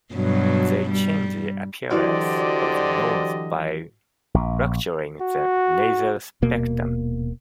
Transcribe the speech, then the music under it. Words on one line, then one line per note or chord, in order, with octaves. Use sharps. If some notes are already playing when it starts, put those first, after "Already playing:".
They changed the appearance of the nose by fracturing the nasal septum.
G2 B2 F#3
G3
D3 E3 F#3 F#4 G4 C5 D5 D#5
A#1
F#4
D#1 B2 A#3